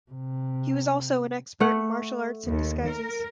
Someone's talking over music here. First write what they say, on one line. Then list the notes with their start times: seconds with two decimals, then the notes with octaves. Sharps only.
He was also an expert in martial arts and disguises.
0.11 C3
1.60 A3 F#5
2.47 D#2
2.87 A#4